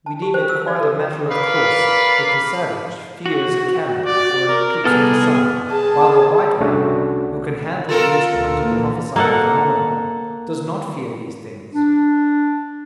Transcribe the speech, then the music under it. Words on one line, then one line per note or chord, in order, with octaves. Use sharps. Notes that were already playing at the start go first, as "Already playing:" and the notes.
We deem it quite a matter of course that the savage fears a cannon or an eclipse of the sun, while the white man, who can handle the instrument and prophesy the phenomenon, does not fear these things.
A5
G4
C5
E6
D5
A4
A#4 B4 D5 F5 B5
F#4
D5
A#4
C2 B3 G#4 A4 F6
G#4 A5
C2 A3 C#4 D4 F#4
F4 A4 A#4
D2
A#1 E3 A#3
A#3 A4 F#5
D4